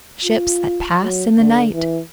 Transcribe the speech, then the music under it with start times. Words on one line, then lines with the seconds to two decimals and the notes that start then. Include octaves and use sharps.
"Ships that pass in the night!"
0.25 F4
1.01 F#3
1.36 D3
1.73 E3